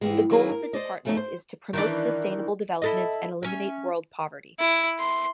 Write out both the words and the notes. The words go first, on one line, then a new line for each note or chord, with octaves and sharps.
The goal of the department is "to promote sustainable development and eliminate world poverty".
G#2 B2 E3 G3 G#3
D#3 F#3 A#3 E4 G#4 B4
A#4
C5 D5 D#5
C#3 F#3 A3 B3 C#4 D#4
C5
D#3 E3 D4
E4 A4 D#5
C#4 E5
E4
C6